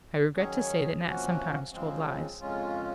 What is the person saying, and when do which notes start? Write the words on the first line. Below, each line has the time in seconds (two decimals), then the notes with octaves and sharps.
I regret to say that Nat sometimes told lies.
0.35 D#3 F#3 C#4 G#4 C#5
1.04 C3 F3 A#3 C#4 F#4
1.73 C#3 F3 G#3 C4
2.41 F2 C#3 G#3 C#4 F4